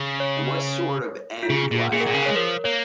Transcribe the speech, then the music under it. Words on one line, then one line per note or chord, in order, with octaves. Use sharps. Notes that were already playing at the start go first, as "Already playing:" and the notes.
And what sort of end do I have?
Already playing: C#3
C#5
F4
C#3 G#4
A#2
A#2 G#4
A#4
A#2 G#4
C#3
G#3 C#5
F3 A#4
A#3 C#5